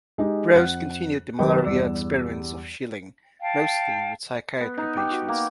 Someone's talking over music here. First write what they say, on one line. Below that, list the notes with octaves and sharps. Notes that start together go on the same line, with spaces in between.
Rose continued the Malaria-experiments of Schilling, mostly with psychiatry patients.
G#3 D#4 G4
F2 F#5 F#6
F#1 D#3 G4 A#4 B4 G5
E2 G2 D5 E6
F5 G5 A5
B3
D#4
G4
F#4
A#3